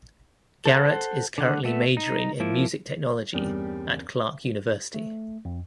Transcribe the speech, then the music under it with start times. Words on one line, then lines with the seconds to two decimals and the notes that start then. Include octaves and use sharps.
Garrett is currently majoring in music technology at Clark University.
0.66 A4 C5 F#5
1.38 D3 F#5
1.65 A3 B3 E5
1.97 D#4
2.40 F3 A#3 E4
3.33 E2 G2 G3 C4 C#4 A#4
4.94 A3
5.45 F2